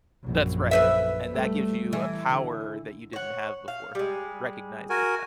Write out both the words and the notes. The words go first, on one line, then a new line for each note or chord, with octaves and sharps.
That's right, and that gives you a power that you didn't have before, recognizing that.
A#1 F#2
B4 C5 E5
G3 A3
E3
D3
C#5 F#5
F5
G3 G#3
F#4 A#4 G#5